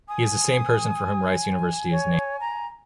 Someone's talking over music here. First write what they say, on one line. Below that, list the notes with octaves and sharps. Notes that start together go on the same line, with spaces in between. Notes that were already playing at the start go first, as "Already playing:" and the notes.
He is the same person for whom Rice University is named.
G#5 D#6
C#5
A#5